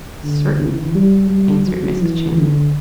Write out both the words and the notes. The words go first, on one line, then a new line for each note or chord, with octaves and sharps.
"Certainly," answered Mrs. Channing.
D3
E3
G3
G3
F#3
E3
D3